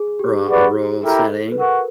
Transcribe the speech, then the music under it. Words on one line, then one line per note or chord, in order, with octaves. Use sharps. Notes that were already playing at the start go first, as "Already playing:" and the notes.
ru a rural setting,
Already playing: G#4
G4
F#4 G#4 B4 D5
E4 G4 A4 A#4
B4
F#4 A#4